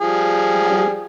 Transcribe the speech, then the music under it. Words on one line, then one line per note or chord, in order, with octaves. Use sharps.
I haven't.
F3 G3 G#4